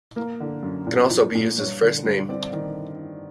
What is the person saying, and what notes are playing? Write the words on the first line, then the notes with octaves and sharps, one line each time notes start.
It can also be used as a first name.
A#3
D3
F#2
A#2
F3
A#2
G2 C#5
D3
G2
C4 D5
D#3